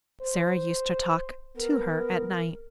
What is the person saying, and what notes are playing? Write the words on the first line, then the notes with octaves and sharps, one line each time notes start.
Sara used to talk to her at night.
C5
B3 A#4